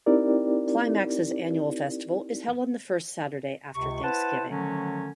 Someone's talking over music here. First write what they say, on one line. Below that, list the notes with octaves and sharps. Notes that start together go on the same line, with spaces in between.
Climax's annual festival is held on the first Saturday after Thanksgiving.
C4 D#4 E4 G4 A#4 D5
C#2 C3 C#6
E4 B4 C5 F#5 A5
D3 D#3 F3 F#3 A3 C#4